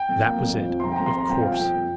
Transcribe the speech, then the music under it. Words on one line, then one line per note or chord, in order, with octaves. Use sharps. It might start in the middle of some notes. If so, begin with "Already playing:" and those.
That was it, of course.
Already playing: G5
F2
A#3
F2
F3
F2
C6
F3 A#5
G5
F2 A#5
C6
C4 A#5
F2 G5
F3 F5
G5
F2
F3